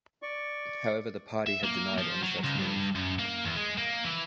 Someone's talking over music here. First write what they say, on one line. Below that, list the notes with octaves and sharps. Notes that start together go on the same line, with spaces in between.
However the party had denied any such move.
D5 C#6
E5
A#3
F3
F#3
C#2
G2
F#2
A#3
E2
G#3
A#3
E3